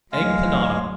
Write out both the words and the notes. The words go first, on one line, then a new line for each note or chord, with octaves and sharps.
Egg Panada.
D2 F#3 G#3 F5